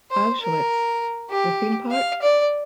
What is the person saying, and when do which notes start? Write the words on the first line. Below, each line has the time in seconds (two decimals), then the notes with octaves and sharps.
Auschwitz: The Theme Park?
0.10 C5
0.41 A#4
1.30 G4
1.91 F5
2.22 D5